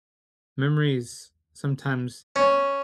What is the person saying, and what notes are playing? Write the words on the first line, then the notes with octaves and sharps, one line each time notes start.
memories, sometimes
C#4